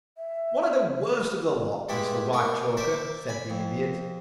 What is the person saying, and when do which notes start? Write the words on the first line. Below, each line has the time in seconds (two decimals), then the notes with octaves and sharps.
"One of the worst of the lot, Mr. Whitechoker," said the Idiot.
0.17 E5
1.89 G2 G3 G#3 E4 A5 B5
2.33 A#3 D4 A#4 C#5 C#6
2.77 A#4 C5 D5 E5 A5
3.29 G#5 B5
3.50 F2